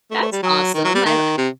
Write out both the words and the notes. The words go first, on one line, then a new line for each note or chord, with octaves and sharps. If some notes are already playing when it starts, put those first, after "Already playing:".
That's awesome. I li
A3
A3
G3
F#3
D#3
F#3
G3
D#3
C3